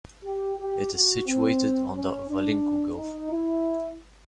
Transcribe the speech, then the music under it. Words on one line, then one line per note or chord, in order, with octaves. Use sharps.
It is situated on the Valinco Gulf.
G4
G4
F#4
C4
C#4
D4
D#4
E4